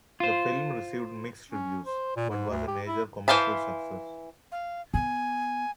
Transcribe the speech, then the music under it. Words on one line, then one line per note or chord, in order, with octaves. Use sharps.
The film received mixed reviews, but was a major commercial success.
F4 C5
C#4
C5
A#2
G#2
D2
G4
E4
E3 C5 F5 A5 B5
F5
B3 G#5